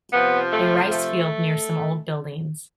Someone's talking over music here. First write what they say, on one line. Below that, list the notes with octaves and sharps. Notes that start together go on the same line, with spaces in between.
A rice field near some old buildings.
C3 F3 B3
A3
A3